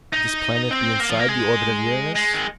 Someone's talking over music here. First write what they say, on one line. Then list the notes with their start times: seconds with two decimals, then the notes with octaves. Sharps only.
Could this planet be inside the orbit of Uranus?
0.13 D#4
0.71 C4
1.00 A#3
1.10 F3
1.19 A#3
1.28 G#3
2.15 G#3
2.34 D#3